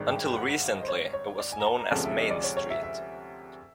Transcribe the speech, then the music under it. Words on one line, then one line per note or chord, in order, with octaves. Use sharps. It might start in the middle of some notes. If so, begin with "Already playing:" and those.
Until recently it was known as Main Street.
Already playing: G#1 G2 D#3 G#3
G5
G5
F#5
F#5
F5
D#5
C5
C#5
C#5
D5
G#5
A#5
A5
A#5
D2 C3 F3 G#3 C#4 A5
E5
D#5
D5
C#5
C#5
E5
E5